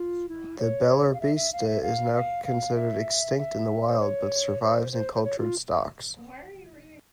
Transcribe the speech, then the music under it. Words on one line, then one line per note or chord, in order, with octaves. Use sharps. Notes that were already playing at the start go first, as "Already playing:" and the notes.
The beloribitsa is now considered extinct in the wild, but survives in cultured stocks.
Already playing: F4
E4
C#5
F5
E5
E5
F5
E5
F5
F5
F5
E5
E5
C5
C#5
C5
C5
C5
C#5
F4